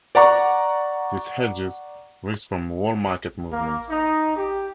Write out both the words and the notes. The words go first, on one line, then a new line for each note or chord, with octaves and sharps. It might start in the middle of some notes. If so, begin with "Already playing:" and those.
This hedges risk from whole-market movements.
D5 F#5 A#5 C#6
A#3
D#4
G4